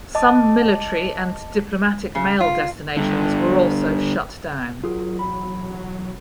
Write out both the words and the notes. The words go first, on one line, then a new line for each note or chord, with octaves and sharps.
Some military and diplomatic mail destinations were also shut down.
D#5 A5 D6
C#3
F4
G2 D3
F#3 F4 G#4 A#4
B1 E2 B5